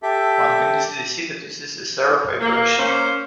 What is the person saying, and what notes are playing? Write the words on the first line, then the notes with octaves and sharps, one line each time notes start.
One can easily see that this is a Serre fibration.
G4 A4 E5
A#3
A#3 C#4 C5